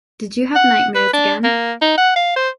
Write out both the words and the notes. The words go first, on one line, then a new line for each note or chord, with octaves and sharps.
Did you have nightmares again?
F#5
B4
D4
A#3
D#4
F#5
F5
C5